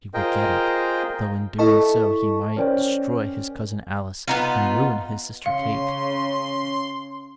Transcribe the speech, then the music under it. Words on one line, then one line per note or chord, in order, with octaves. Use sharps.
He would get it; though in doing so he might destroy his cousin Alice and ruin his sister Kate.
F4 G#4 A#4 C5 D#5 G5
E4 A4 D#5 A5 C#6
C#4 A#4 C5 D5 G5
B3 D#4 F4
C#3 F5 C6